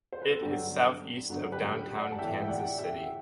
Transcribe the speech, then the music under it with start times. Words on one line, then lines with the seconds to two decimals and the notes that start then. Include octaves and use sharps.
It is southeast of downtown Kansas City.
0.13 C5
0.22 B4
0.31 A4
0.41 G2 D3 F#3 B3 D4 G4
1.30 G2 D3 F#3 B3 D4
1.52 G4 B4
1.74 G4
1.96 D5 F#5
2.12 A5
2.19 A2 E3 B3 E5 G5
2.44 G5
2.48 D5 F#5
2.78 E5 G5